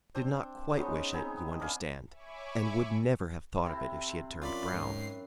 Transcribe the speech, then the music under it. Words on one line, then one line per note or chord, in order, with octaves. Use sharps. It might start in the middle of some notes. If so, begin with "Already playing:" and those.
She did not quite wish it, you understand, and would never have thought of it if she had turned brown.
C4 D4 C5
G#3 B3 C#4 D#4
B3 C4 D#4 G#4
D4 F5 G#5 B5
C#5 E5 G#5 B5 C#6 D6
C3 C4 E4
F#2 F4 D5 B5
G#2 C7